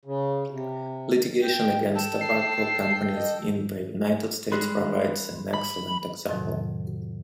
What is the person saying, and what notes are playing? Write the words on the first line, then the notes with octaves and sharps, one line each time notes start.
Litigation against tobacco companies in the United States provides an excellent example.
C#3
C3
G5
A4 G5 A5
C7
D#5
G3 G#3 B5 C6 F#6
B5
F2 A2 C3 D#3 F#3